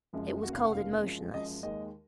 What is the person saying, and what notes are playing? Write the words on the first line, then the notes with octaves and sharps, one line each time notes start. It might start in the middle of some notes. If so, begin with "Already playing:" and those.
It was cold and motionless.
F#1 F#2 F3 G#3
F1 D#2 C#3 F#4
F5
F#5
F1 D#2 C#3 F5
F#2 F3 G#3
F#2 F3 G#3 D#5
D#2 D#3 G#3 D#5